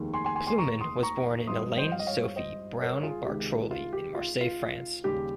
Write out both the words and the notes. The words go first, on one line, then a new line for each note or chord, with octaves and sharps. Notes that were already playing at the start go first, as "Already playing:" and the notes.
Plewman was born Eliane Sophie Browne-Bartroli in Marseilles, France.
Already playing: F1 D#2 D#3 G#3
G#5 C6
G#5 C6
G#5 C6
G#5 C6
A#5 C#6
C6 D#6
A#5 C#6
G#1 G2 F3 C6 D#6
C5 D#5
F5
D#5
C#5 F5
C5 D#5
A#4 C#5
F4 G#4
C#2 C3 D#3 G#3 G4
F4
G4
F4
F4
D#2 C#3 G3 G4